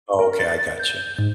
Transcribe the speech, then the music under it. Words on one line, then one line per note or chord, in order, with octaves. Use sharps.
Okay, I gotcha,
A#4
A6
G6
G#2